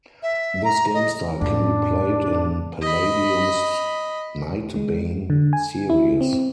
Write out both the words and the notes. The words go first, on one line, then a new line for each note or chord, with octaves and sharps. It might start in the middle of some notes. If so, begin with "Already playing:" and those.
This game style can be played in Palladium's "Nightbane" series.
E5
A#5
D#5
F2 A2 D4
D#5 B5
G#3
D3
G#5
E4
C4